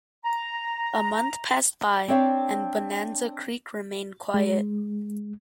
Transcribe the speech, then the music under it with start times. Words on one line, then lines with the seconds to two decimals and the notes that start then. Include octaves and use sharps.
A month passed by, and Bonanza Creek remained quiet.
0.25 A#5
2.08 C4 D4 C#5 E5 F5
4.34 G#3